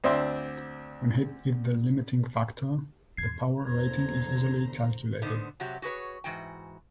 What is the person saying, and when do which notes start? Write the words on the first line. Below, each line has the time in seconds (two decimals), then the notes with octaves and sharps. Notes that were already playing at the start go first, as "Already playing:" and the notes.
When heat is the limiting factor, the power rating is easily calculated.
0.04 D2 C4 D4 E5 C6
3.17 E2 G#2 G#6 C7
3.66 E2 D3 C5 A#5 G#6
5.22 B2 D3 B3 D#4 C5
5.60 C3 F#3 F#4 G4
5.82 F#4 G#4 B4 C#5
6.24 G#2 E3 F#4 G5